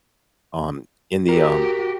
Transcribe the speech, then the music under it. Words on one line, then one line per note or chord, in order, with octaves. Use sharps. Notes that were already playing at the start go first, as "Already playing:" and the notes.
on in the, um,
F#4 G4 A#4